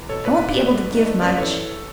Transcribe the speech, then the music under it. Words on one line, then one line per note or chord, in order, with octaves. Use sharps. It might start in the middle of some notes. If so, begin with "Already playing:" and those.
I won't be able to give much.
Already playing: E2
B2 A4 C#5
A2 B4 D5
A2
F#3
A3
G#2
A3
F#2 B4 D5
E3 A4 C#5